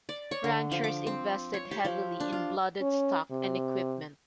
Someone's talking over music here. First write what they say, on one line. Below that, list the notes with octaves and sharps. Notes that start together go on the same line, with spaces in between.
Ranchers invested heavily in blooded stock and equipment.
D5
C#5
D3
F3
D6
C4
C#5
G4
F3
D4
F4
C#4
C3